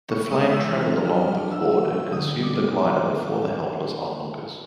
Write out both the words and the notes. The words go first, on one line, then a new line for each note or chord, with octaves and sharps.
The flame travelled along the cord and consumed the glider before the helpless onlookers.
B3 C#6
G#3 D#6
E3 E6
C4 F6
D4 F6
F#3
D4
F#3 E6
F#3
C#4
D3 D#6
G3
D6
B3